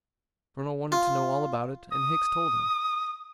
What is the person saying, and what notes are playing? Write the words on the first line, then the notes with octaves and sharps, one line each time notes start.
The Colonel wanted to know all about it, and Hicks told him.
F4
D#6